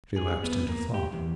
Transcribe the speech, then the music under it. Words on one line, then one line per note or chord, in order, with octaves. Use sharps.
She lapsed into thought.
G#4
B3
A#3
G4
E2